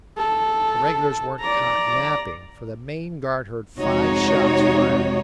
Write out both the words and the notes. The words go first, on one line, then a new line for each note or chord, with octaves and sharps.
The regulars weren't caught napping, for the main guard heard five shots fired.
A4
D5 A#5
F2 C3 G#3 D#4 F#4 C#5